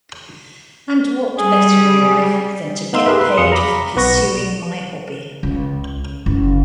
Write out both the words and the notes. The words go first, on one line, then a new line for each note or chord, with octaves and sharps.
And what better in life than to get paid for pursuing my hobby?
G3 G#4
B3 D#4 F5 C6 E6
G4 G#4 A#4 B4 E5
B4 C6
F2 G#4 F5 D#6 C#7
A#5 B5 D6
B1 B3 B4 C#6 A#6
C#2
F#1